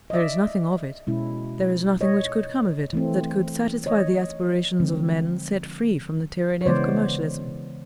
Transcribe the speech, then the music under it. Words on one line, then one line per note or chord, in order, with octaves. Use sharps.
There is nothing of it--there is nothing which could come of it that could satisfy the aspirations of men set free from the tyranny of commercialism.
D#5
D5 E5
B2 G#3 C#4 E4
C#5 D#5
E3 A3 C4
C#5 D#5
D3 F3 G#3 C4
C#5
C#3 E3 G#3 B3 C5 D5